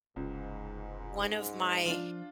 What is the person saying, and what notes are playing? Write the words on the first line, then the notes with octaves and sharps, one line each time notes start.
one of my
F1 C#2 G#2
F3 D4 F4